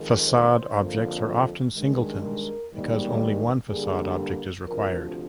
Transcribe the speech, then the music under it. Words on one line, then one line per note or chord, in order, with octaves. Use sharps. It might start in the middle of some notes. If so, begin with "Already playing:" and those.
Facade objects are often Singletons because only one Facade object is required.
Already playing: F2 D#3 G#3
C5
F2 D3 F3 A#3
G2 D#3 G#3
A#4
G#2 D#3 G3 A#3
G2 D3 G3 A#3 G#4
D2 C3 F3 A#4